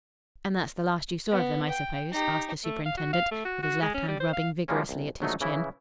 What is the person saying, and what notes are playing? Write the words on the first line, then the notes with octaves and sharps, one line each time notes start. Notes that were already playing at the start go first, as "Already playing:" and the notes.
"And that's the last you saw of them, I suppose?" asked the superintendent, with his left hand rubbing vigorously at his chin.
B3
G5
D#4 G4
A3
F5
F#4
F5
A3
F#4
F#4
G#3
C#4
G3
C5
F5
E3 F3 G3 G#3 A#3 C#4
C2
A#1 F#3 A3 D#4
C#3 E3 E4